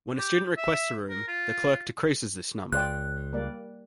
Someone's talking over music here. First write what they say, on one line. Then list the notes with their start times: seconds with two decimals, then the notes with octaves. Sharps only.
When a student requests a room, the clerk decreases this number.
0.19 G4
0.57 E5
1.10 A#4
1.28 F4
2.72 C#2 F4 D5 G5 F#6
3.33 G3 A#3 D5